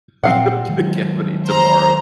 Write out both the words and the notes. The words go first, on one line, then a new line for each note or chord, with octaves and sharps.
you don't get a cavity tomorrow.
A#2 C4 F5 F#5
D#3 F#3 G#3
C5 A#5